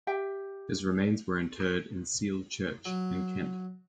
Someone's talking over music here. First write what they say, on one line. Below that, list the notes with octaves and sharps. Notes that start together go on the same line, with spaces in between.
His remains were interred in Seal church in Kent.
G4 E5 G5
F#3